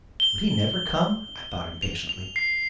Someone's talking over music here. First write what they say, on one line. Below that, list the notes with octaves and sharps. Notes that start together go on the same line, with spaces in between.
Would he never come? I thought impatiently.
G7
F7
F7
C7